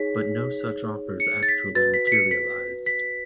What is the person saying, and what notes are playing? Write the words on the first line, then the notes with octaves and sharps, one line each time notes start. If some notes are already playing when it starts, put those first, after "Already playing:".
But no such offers actually materialized.
Already playing: D#4 G#4 C#5 B6
C#7
A6
B6
F#4 B4 A6
B6
B6
C#7
B6
B6